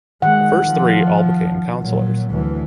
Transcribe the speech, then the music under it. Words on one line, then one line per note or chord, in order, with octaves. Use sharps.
The first three all became councilors.
D#3 G#3 F#5
F3
A#2 F#3
D2 E3